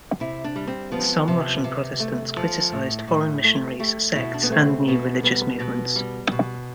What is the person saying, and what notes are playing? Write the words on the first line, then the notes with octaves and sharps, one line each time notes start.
Some Russian Protestants criticized foreign missionaries, sects and new religious movements.
C3 E4
D4
G3
C4
F3 B3
C3
C3
A3
F3
A2
A2
A3
A3 G4
B2 E4
D4
B3
A3 C4
B2 B3
G3 B3
B2
G3
B2